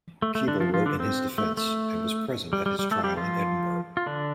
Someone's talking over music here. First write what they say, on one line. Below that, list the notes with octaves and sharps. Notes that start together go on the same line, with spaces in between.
Keble wrote in his defence, and was present at his trial at Edinburgh.
A3
A3
D3 D4
F3 F4
F3 F4
D3 D4
C4
A3
A3
G3
G3
G3
A3 A4
G3 G4
F3 F4
F4
D3 D4